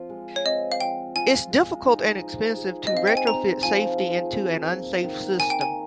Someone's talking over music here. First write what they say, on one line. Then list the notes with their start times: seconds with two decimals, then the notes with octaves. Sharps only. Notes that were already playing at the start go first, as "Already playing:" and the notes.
It's difficult and expensive to retrofit safety into an unsafe system.
Already playing: F3 C4 F4
0.10 G#3
0.36 C#5
0.45 C4 D#5
0.72 F5
0.81 F3 G5
1.16 F4 G#5
1.51 G#3
1.87 D#4
2.22 F3
2.57 G#4
2.87 D#5
2.93 C4 F5
3.07 G5
3.17 G#5
3.27 D#4 A#5
3.63 F3 G#5
3.98 G#4
4.33 C4
4.69 A#3
5.04 D#3
5.39 D#3 G#5
5.50 G5
5.61 G#5